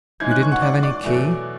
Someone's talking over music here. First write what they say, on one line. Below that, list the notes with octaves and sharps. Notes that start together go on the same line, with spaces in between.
"You didn't have any key?"
G#2 E3 G#3 C#4 G#6
F#6
C#6
F#5
D5
D5
E2 B2 F#3 A3